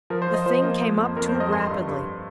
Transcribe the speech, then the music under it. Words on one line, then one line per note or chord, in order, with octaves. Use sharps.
The thing came up too rapidly.
F3 A#4
C5
F3
D#5
F3 C5
A#3
A#3
F2
F2 A#4
C5
F2
D#5
G2 C6
G2
G2